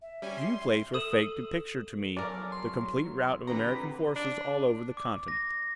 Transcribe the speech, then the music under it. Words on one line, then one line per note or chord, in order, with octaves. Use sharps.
Viewplates were faked to picture to me the complete rout of American forces all over the continent.
E5
G3 C#4 G#5
C6
A4 D#6 D#7 E7 F#7
E2 F#3 C#4 A4 A#4 D5
C6
E2 A#2 D3 C4 G4 B4 A#5
D4
D6
A#6